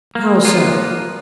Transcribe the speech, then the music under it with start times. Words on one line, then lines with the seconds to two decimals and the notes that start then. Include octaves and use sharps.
"How so?"
0.15 A#3
0.45 F3 A#3 B3 F4